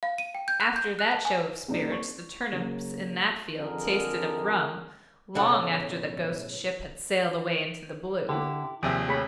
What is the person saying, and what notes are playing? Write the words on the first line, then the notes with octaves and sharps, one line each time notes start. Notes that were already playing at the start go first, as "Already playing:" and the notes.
After that show of spirits, the turnips in that field tasted of rum, long after the ghost ship had sailed away into the blue.
F5
D#7
G5
G6
F#6
G6
F#6
A5
G#5
F#1 C2 F#2 A#3 D#4 D5
C#6
C#3 F#3 A#3
F2 D3 G#4 A#4
B1 A2 C#3 A4 F#5
D3 E4 G4
D#2 C3 F3 C4 G#4 D5 E5 D#6
A3 G#4 C#5 B5